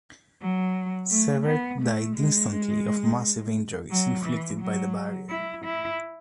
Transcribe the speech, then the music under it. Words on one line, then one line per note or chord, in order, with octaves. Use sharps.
Cevert died instantly of massive injuries inflicted by the barrier.
F#3
A3
B3
A3
G#3
F#3
E3
F#3
E4
E4